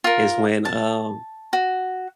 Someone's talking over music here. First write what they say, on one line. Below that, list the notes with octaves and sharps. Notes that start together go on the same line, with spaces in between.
is when, um
F4 A#4
A5
F#4